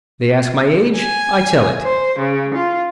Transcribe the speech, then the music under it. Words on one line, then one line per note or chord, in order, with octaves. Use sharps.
They ask my age; I tell it.
G#5
C5
C#3
F4